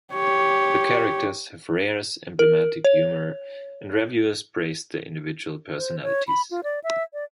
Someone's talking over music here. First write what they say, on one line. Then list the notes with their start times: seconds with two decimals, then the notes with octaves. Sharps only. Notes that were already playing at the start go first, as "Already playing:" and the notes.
The characters have Rare's emblematic humor, and reviewers praised their individual personalities.
0.14 G4 C#5
2.39 A#4
2.85 C#5
5.77 C5
6.03 C#5
6.28 B5
6.51 F4
6.64 D5
6.84 E5
7.13 D5